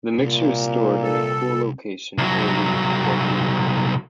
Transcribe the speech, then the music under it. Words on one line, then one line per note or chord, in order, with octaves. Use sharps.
The mixture is stored in a cool location for a week before eating.
C2 A#2
A4
C2 F#3